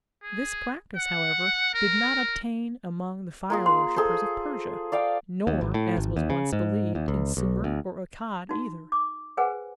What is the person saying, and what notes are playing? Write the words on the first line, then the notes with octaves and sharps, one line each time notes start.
This practice, however, did not obtain among the fire worshippers of Persia, nor, as was once believed, in Sumer or Akkad either.
G#4
F#5
A#4
A#3 F4 G#4
C6
G#4 A4 C5
D5 F5 G5
D#2
G#1
A2
G#1
D#2
C#3
G#2
D#2
C#2
B1
D2
D#4 F#4
D6
G#4 B4 C5 F#5 G#5